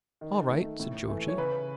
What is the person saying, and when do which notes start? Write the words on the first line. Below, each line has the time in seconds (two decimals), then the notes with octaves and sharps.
"All right," said Georgie.
0.21 D#3
0.50 A3
0.80 A2
1.09 E3 A3
1.28 C#5
1.38 C#3 B4